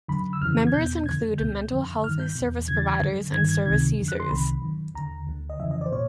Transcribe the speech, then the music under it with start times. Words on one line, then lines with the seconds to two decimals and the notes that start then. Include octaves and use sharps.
Members include mental health service providers and service users.
0.08 F#2 D3 B5
0.33 E6
0.41 F2 C#3 E3 F6
0.67 G#6
0.74 E2 B2 G6
1.06 F2 G#6
1.11 D3
1.38 C#2 B2 G6
1.71 F2 D3
2.03 G2 F6
2.07 D#3
2.20 G6
2.36 B2
2.41 E2
2.67 E2 C#3 E3 G#6
2.77 A6
2.86 G#6
3.00 F#2 D3
3.32 G2 D#3 G#6
3.49 G#6
3.65 C#2 C3 D#3 G#6
3.97 F2 D3
4.08 F#6
4.20 C6
4.30 C2 C3 D#3 B5
4.62 F#2 D#3
4.95 D#2 D3 A#5
5.27 D2 D3
5.50 D#5
5.59 F2 C#3 E3 E5
5.71 D#5
5.81 D5
5.86 C5
5.92 A#2 C#5